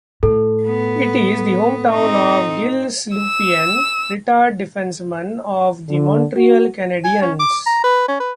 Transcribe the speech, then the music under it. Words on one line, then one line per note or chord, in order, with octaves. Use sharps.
It is the hometown of Gilles Lupien, retired defenceman of the Montreal Canadiens.
A2 A4
B3
C4 D#4
E6
D3
F#4
G#5
C#4
D6
A#5
B4
C#4
B4